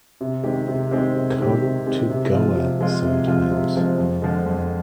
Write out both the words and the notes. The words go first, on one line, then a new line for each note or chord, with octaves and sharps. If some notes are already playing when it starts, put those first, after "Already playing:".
Come to Goa sometimes.
C3
D#3 G#3 C4 G4
C3
D#3 G#3 C4 G4
C3
D#3 G#3 C4 G4
C3
D#3 G#3 C4 G4
C3
F3 G#3 C4 F4
C3
F3 G#3 C4 F4
C3
F3 G#3 C4 F4
C3
F3 G#3 C4 F4
F2
D3 F3 G#3
F2